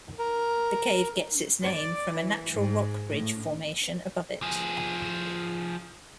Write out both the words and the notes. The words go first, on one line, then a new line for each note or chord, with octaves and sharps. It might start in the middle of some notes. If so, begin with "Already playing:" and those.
The cave gets its name from a natural rock bridge formation above it.
A#4
D5
E3
G#2
A2
F3 G#4